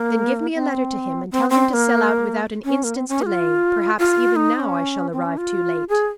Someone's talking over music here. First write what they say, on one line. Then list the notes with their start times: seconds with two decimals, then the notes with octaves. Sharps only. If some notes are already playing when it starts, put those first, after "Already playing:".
"Then give me a letter to him, and tell him to sell out without an instant's delay, perhaps even now I shall arrive too late."
Already playing: A#3
0.54 C4
1.31 C4
1.50 C4
1.69 C4
1.73 A#3
2.65 C#4
2.84 A#3
2.96 C4
3.09 C#4
3.22 G#4
3.26 F4
3.99 F4
4.36 D#4
4.55 D#4
4.60 C#4
5.13 C4
5.25 C#4
5.38 F4
5.89 G#4